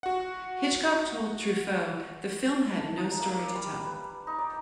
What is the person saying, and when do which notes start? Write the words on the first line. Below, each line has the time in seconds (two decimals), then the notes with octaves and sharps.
Hitchcock told Truffaut "The film had no story to tell".
0.03 F#4 F#5
2.71 A5
2.97 D#4
3.20 A#3
3.39 D5
3.55 G3
3.86 B4
4.27 D#4
4.38 D5